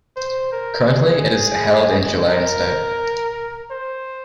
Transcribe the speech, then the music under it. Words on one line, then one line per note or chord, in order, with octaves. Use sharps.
Currently, it is held in July instead.
C5
A#4
G#4
A#4
C5